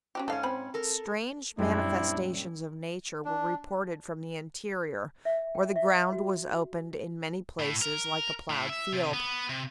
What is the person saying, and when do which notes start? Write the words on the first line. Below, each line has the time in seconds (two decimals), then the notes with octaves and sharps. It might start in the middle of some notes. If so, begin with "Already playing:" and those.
Strange manifestations of nature were reported from the interior, where the ground was opened in many places like a ploughed field.
0.15 C#4 F#4 G4
0.28 G#2 C#4 A4 F5
0.43 C4 B5
0.74 A4 A#4
1.58 F#2 A#2 G3 C4 D4 E4
3.25 D4
5.25 E5
5.55 G5
5.76 E5
6.12 F#4
7.59 A2
7.82 A#4
8.50 A2
8.69 E5
8.92 C3
9.13 B3
9.49 C3